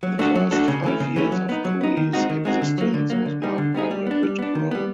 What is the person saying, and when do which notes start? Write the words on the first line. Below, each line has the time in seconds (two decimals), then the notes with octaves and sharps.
The first five years of Cooley's existence was marked by rapid growth.
0.03 F#3
0.19 A3 D4 F#4 A4
0.35 F#3
0.51 A3 D4 F#4 A4
0.68 C#3
0.84 E3 A3 C#4
1.00 C#3
1.16 E3 A3 C#4
1.32 F#3
1.49 B3 D#4
1.65 F#3
1.81 B3 D#4
1.97 D#3
2.13 G#3 C4 D#4 F#4
2.30 D#3
2.45 G#3 C4 D#4 F#4
2.62 D3
2.78 F#3 A#3
2.94 D3
3.10 F#3 A#3
3.26 D3
3.42 G3 B3 D#4 G#4
3.58 D3
3.74 G3 B3 D#4 G#4
3.91 G3
4.07 B3 D4
4.23 G3
4.39 B3 D4
4.55 D#3
4.71 G3 B3